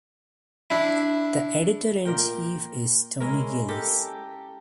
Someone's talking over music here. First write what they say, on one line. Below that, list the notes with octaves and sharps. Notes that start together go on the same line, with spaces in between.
The editor-in-chief is Tony Gillies.
D4 E4
A#2 A#4 G5
G#3 C#4 E4 A#4
G4 A4 A#4